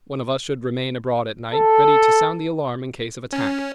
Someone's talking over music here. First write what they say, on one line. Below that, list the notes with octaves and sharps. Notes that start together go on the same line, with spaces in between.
One of us should remain abroad at night, ready to sound the alarm in case of attack.
A4
C#4